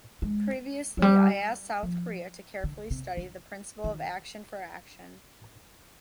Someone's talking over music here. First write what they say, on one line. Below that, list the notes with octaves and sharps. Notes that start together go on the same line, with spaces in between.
Previously, I asked South Korea to carefully study the principle of action for action.
G#3
F3
G3
F3
D3
C3
D3
D#3